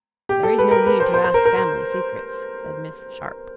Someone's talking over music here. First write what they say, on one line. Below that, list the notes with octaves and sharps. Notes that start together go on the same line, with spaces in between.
"There is no need to ask family secrets," said Miss Sharp.
G4
A4
B4
A#4
B4
C5
C5
C5
A#4
A#4
A#4